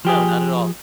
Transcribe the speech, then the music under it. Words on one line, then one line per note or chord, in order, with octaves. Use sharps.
No. Not at all.
F3 G4 G#4